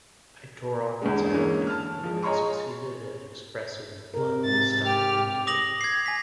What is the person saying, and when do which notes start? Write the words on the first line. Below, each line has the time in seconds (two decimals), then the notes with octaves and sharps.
I tore off its abdomen and succeeded in expressing the blood the stomach contained.
1.02 E2 G2 D3 G#3
1.34 D3 E3 G#3 A#3 C#4
1.67 A5 F6
2.03 F3 G#3
2.23 G#4 C#5 D#5 A#5 C6 C#6
4.14 C3 A#4
4.45 G#2 A6
4.86 G4 G5 F6
5.47 D6 D#6 A#6 F7 F#7
5.81 G#6 C7
6.06 G#5 A#6 B6